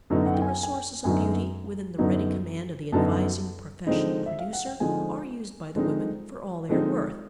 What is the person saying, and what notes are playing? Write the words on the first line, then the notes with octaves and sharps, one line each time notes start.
But the resources of beauty within the ready command of the advising professional producer are used by the women for all they are worth.
F#2 D3 F#3 B3 D#4
F#5
G5
G#5
G#5
G5
F#2 D3 F#3 B3 D#4 G#5
F#2 D3 F#3 B3 D#4
F#2 D3 F#3 B3 D#4 A5
D3 F3 G#3 C4 D#4
E5
F5
F#5
G5
D3 F3 G#3 C4 D#4 G#5
D3 F3 G#3 C4 D#4
D3 F3 G#3 C4 D#4